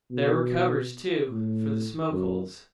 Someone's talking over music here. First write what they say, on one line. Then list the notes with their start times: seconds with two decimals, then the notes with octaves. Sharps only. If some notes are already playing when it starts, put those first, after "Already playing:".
There were covers, too, for the smoke-holes.
0.11 B2
1.32 A2
2.11 F#2